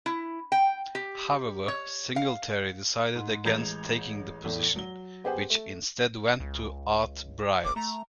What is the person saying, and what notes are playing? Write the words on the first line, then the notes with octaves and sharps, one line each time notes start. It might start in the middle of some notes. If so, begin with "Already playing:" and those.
However, Singletary decided against taking the position, which instead went to Art Briles.
E4
G5
G4
C#5
F5
G#2
A1 G#3 A#5 G6 G#6 F7
E2 A2
F#3 G7
B3 G4 G#4 C5 F#5
A3
C#2
F1 D6
A3 A#5